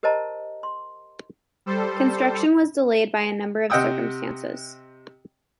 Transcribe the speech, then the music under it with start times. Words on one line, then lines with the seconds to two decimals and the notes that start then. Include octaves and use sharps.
Construction was delayed by a number of circumstances.
0.03 G4 A#4 C5 D#5 A5 A#5
0.63 C6
1.66 G3 A4 C5
3.70 C3 D#5 F#5 G5 D#6 E6